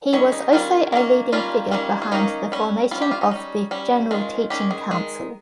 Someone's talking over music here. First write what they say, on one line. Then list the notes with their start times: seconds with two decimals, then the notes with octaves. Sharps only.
He was also a leading figure behind the formation of the General Teaching Council.
0.13 D#3 G3 C#4 C#5
0.32 D#4
0.53 D#3 G3 C#4 F4
0.92 D#3 G3 A#3 C#4
1.32 D#3 G3 A#3 C#4 F4
1.71 D#3 G3 A#3 C#4
2.02 F4
2.12 D#3 G3 A#3 C#4 D#4
2.52 G3 C#4
2.91 G3 C#4 F4
3.02 G4
3.11 F4
3.21 D#4
3.31 G3 C#4
3.71 G3 C#4
4.11 D#3 G#3 C#4 F4
4.50 D#3 G#3 C#4 G4
4.71 G#4
4.91 D#3 G#3